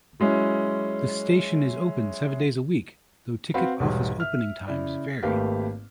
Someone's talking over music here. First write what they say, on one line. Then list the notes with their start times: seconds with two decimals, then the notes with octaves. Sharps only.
The station is open seven days a week, though ticket office opening times vary.
0.20 F#3 G#3 C#4 E4
3.54 C4 F#4 B4 F5 F#5 B5
3.80 B1 E2 G#2 G3
4.20 E5 F6
4.67 C#3 E4 D5
5.22 G#1 A3 A#3 G4 B4 F5